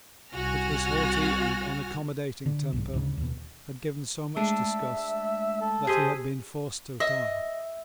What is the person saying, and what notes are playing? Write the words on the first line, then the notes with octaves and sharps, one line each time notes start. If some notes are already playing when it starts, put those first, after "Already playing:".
But his haughty and unaccommodating temper had given so much disgust that he had been forced to retire.
C2 F#4 G#5 F6 A#6
D3
B1 G#2
D2 G#2 C#3
D#2 B2
G#3 A3 D4 E5
A4
G4 G#4 C5 D#5 B6 D#7
D#5 E5